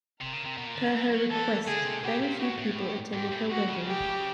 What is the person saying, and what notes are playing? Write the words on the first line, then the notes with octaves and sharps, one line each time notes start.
Per her request, very few people attended her wedding.
C3 A#4
C#3
C3
B2
A#2
D3
D#3
E3
F#3
E3 A4
D3 G#4
C3
B2 G4
A#2
A2 F#4
A2
G4
G#2 G4
A2
B2 F#4
C#3
G4